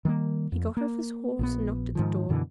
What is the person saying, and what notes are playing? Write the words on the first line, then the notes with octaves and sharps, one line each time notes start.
He got off his horse and knocked at the door.
D#3 G3 A3 A#3
F2
A#3
A#1 E3 B3
G#2 D#3 F3
F#2 B2 D3 E3